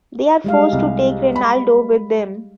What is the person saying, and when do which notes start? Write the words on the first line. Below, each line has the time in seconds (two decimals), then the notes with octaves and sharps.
They are forced to take Reinaldo with them.
0.44 G3 G#3 F5
0.72 C2
1.36 B5